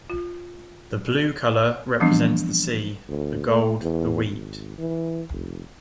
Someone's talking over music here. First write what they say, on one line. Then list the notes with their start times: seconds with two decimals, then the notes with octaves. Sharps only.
The blue colour represents the sea, the gold the wheat.
0.10 F4
2.00 E3 F3 G3 B3 C4 D4
3.09 D2
3.48 A3
3.82 E2
4.28 G#1
4.78 E3
5.32 F1